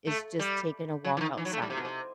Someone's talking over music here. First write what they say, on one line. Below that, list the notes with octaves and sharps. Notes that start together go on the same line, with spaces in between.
is just taking a walk outside.
A3
G3
F#3
E3
D#3
E3
F#3
A3
G3
C3
B2
C3